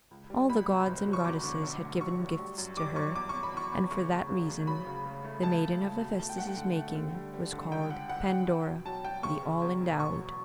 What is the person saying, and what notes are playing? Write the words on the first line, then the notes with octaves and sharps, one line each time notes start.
All the gods and goddesses had given gifts to her, and for that reason the maiden of Hephaestus's making was called Pandora, the All-endowed.
C#2
G3
C#2 B5
B2
F#1
F#3
C#6
E2 D6
D3
B1
A2
F#3 C#6
F#3
G3
F#2
G3 D6
F#2 C#6
E2 D6
E2 C#6
B5
E2 C#6
E2
C#3 C#6
D2
C#3
D2
F#3 B5
C#3
C#3
A3
C#2 A5
C#2
C#2
B2
A3 A5
G5
A3 F#5
G5
D3
A3
D3
G3
G3
D3
C#2 G5
C#2 F#5
C#2 F#5
C#2 G5
E2
B2
F#3 A5
F#3 G5
C#3 C#6
C#3
E2
E1
A1 C#6
F#3